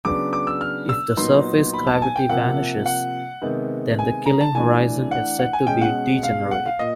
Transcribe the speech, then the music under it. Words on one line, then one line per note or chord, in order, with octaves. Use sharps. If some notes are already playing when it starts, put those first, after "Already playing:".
If the surface gravity vanishes, then the Killing horizon is said to be degenerate.
C#3 F#3 B3 D4 D6
D6
E6
F6
E6
A#2 F#3 B3 D#4 C6
B5
A5
G#5
G5
C3 F3 A#3 F#5
F#5
C3 D#3 G#3 B3
G#5
A#5
A5
E3 A3 D4 G#5
F#5
F#5
G#5
B2 G#3 C#4 G5
F#5
F5
F#5
F5
A#2 D#5